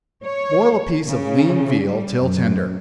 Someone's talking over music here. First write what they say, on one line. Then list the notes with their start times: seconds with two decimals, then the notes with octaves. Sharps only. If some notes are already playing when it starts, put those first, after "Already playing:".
Boil a piece of lean veal till tender.
0.24 C#5
1.07 C#3
1.80 G3
2.23 F#2